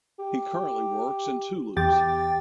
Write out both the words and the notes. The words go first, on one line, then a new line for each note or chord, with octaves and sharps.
He currently works in Toulouse.
G4
E2 G4 G5 A6